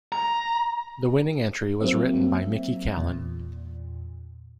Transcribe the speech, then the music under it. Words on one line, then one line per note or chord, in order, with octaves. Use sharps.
The winning entry was written by Micki Callen.
A#5
F#3 A#3 C4 E5
E2 A#2